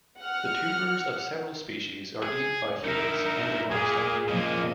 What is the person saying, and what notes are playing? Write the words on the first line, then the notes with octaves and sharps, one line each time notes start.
The tubers of several species are eaten by humans and their livestock.
F#5 F6
G#4
D#4 E4 A#4
A#2 A#3 G#4
A#2 C#3 F3 A#3 D#5